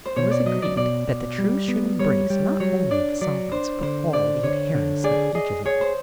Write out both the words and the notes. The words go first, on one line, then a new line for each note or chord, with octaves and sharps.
It was agreed that the truce should embrace not only the sovereigns, but all the adherents of each of them.
C5
B2 C#5
D5
F#3 D#5
D5
B2 D5
B2
G3
B3
G3 C#5
G3
F#3 C#5
D4 D5
F#3 D5
D4 C5
D3 C5
D3 D5
D3 C#5
D3
G#4 D5
G#4 D#5
G#4 C#5
C5